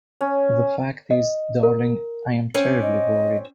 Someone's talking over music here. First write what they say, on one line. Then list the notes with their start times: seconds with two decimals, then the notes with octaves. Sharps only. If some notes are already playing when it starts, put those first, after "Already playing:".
The fact is, darling, I am terribly worried.
0.21 C#4
1.11 D#5
1.63 A#4
2.54 C4 C#4 D5
2.82 D#5